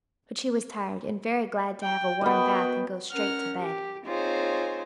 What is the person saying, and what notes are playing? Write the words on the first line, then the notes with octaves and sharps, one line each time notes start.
But she was tired and very glad to have a warm bath and go straight to bed.
G5
B3 F#4 D#5 G5
C#4 A#4 F#5 F6
G4
C4 D#4 F4 G#4 C5 C#5